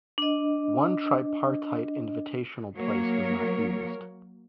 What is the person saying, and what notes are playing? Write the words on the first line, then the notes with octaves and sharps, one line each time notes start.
One tripartite invitational place was not used.
D4 D#5
F#3 A#3 A#4 C#5